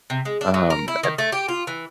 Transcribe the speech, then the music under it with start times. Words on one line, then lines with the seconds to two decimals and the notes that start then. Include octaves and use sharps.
Um, and
0.10 C3
0.25 G#3
0.41 D4
0.54 F#3
0.70 A#4
0.88 E4
1.03 D#3
1.18 A3
1.32 G4
1.49 F4
1.67 E3